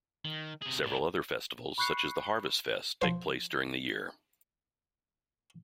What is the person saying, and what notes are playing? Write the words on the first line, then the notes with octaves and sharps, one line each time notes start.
Several other festivals, such as the Harvest Fest, take place during the year.
D#3
C3 G#4
A2 D4
B5 C#6 F#6 G6 C7 C#7
F3 C5